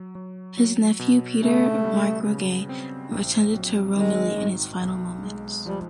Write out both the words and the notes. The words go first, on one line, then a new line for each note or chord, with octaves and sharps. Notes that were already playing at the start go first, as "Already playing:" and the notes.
His nephew Peter Mark Roget attended to Romilly in his final moments.
Already playing: F#3
F#3
F#3
B2
C#3 A3
G3
C#3
C4
A#1
F#3
D#3 G#3
G#2
B1
G#3
F3 G3